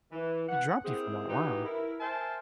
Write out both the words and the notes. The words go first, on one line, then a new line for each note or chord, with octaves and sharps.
He dropped you for that, wow.
E3
F#5
A#3 C4 E4 G4 G#4
E3 D#4 F#4 G4 B4
E4 A#4
A#4 C5 E5 G#5 A5